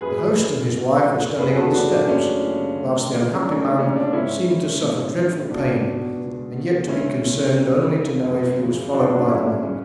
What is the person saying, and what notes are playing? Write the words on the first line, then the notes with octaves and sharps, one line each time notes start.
The host and his wife were standing on the steps, whilst the unhappy man seemed to suffer dreadful pain and yet to be concerned only to know if he was followed by the monk.
F#2 G#4 B4
C#3 E3
F#2
C#3 E3
F#2 G#4 B4
F#4 A4
C#3 E3 D4 F#4
D4
F#2 C#4
C#3 E3
D2
C#3 E3
C#4
D2 D4
D4
C#3 E3 C#4
D4
G#2 C#4 E4
E3
G#2
E3
C#2 D4 F#4
B2
C#2
B2
C#2 C#4 E4
C#3 E3
C#2
C#3 E3
F#2
C#3 E3
F#2 D4 F#4
D4 F#4
C#3 E3 C#4 E4
C#4
C#4